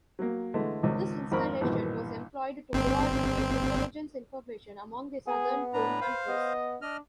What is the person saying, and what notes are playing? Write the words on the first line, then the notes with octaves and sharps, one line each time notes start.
This installation was "employed to co-ordinate intelligence information among the southern cone countries".
F#3 A#3
D3 E3 G#3 A3
G#1 C#2 D#3 F3
G#1 F2 C4 A#4 B5 C#6
A#1 E2 G2 B2 D#3 E3
G1 C4
B3 G#4
A2 D4 B4 A#5
C5 F5
B3 D#5
D4 D#5 F6